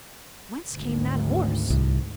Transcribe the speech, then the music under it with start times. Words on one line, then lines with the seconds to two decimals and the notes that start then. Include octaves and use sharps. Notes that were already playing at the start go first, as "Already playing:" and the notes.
Whence came that horse?
0.71 G#1 D2
1.70 C2